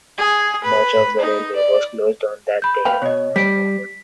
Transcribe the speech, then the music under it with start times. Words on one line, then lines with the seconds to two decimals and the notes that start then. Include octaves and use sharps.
Much of the railway was closed on that date.
0.18 G#4
0.64 B4
1.19 D#4
1.56 D5
2.62 B5 G6
2.85 B4 F5 G5
3.02 B2 C#5 D#5
3.36 G3 B6 D7